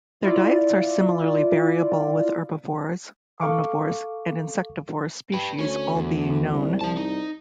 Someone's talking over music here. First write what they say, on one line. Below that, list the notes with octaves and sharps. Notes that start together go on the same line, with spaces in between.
Their diets are similarly variable, with herbivorous, omnivorous, and insectivorous species all being known.
E4 F4 D5
A4 F5 C#6 D6
G4 B4
D2 C#4 C#5
E2
C2
C2 F3 A5
D#4